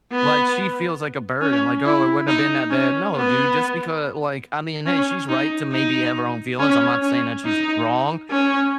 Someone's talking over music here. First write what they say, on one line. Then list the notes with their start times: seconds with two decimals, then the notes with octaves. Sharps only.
Like, she feels like a burden, like, "Oh, it wouldn't have been that bad." No, dude, just because like I mean hey, she's right to maybe have her own feelings, I'm not saying that she's wrong
0.12 B3
1.41 C#4
1.85 E4
2.27 D#4
2.70 C#4
3.15 B3
4.86 C#4
5.29 D#4
5.72 D#4
6.59 C#4
7.02 C#4
7.45 D#4
8.31 C#4